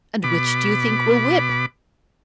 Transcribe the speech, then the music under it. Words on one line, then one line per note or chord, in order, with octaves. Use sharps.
"And which do you think will whip?"
B2 B5 D6